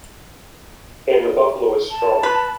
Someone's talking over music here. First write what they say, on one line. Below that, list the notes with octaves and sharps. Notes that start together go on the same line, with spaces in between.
And the buffalo is strong.
A5
B4